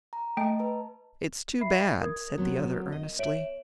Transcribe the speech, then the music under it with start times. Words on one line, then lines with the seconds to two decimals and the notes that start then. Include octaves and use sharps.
"It's too bad," said the other, earnestly.
0.13 A#5
0.37 A3 D#5 G5 A5
0.59 B4 A#5
1.61 E5 B5 C7
2.01 A#4 D#6 G#6
2.38 F#3 B3 C4
2.92 D#5
3.19 C#5 E5 D7 F#7